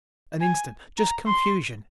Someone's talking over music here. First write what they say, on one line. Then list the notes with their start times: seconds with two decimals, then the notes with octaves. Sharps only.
An instant--just confusion.
0.41 G#5
0.98 A#5
1.27 C6